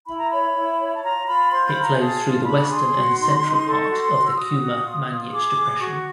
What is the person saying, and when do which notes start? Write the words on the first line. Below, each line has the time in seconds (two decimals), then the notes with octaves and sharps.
It flows through the western and central part of the Kuma-Manych Depression.
0.07 E4 B5
0.18 A#5
0.30 C#5 B5
0.55 E4
0.79 C#5
0.94 A5
1.03 F4 A#5
1.27 F4 B5
1.50 C5 C6
1.67 B5
1.75 F4
1.83 A#5
1.93 G#5
1.98 G#4 A5
2.22 F4
2.45 D4 B5
2.61 C#6
2.69 G#4 C6
2.94 F#4
3.18 D#4
3.41 D#4
3.65 A4
3.82 C#6
3.89 F#4 C6
4.13 F#4
4.26 E6
4.36 F#4 D#6
4.60 F#4
4.84 F4
5.07 F4
5.32 G#4 D6
5.56 G#4
5.80 F#4 C#6